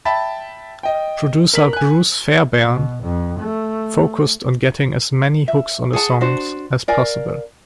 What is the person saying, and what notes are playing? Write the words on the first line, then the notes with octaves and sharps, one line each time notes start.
Producer Bruce Fairbairn focused on getting as many hooks on the songs as possible.
E5 G5 A5 B5 A6
D#5 G5
A#4 F6 B6 F#7
G#5 F#6
B2
F2
A3
E5
G#4 F#5 A5
D4 F#4 C5
A#4 D5 F5 G#5